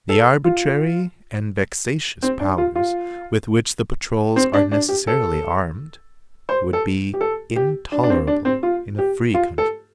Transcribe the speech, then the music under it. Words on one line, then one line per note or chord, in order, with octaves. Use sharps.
The arbitrary and vexatious powers with which the patrols are necessarily armed, would be intolerable in a free country.
A4
F4
C4
D4
F4
F4
C4
D4
D4
G4
A4
C5
A4
G4
A4
G4
D4
D4
C4
D4
C4
F4
G4
F4
A4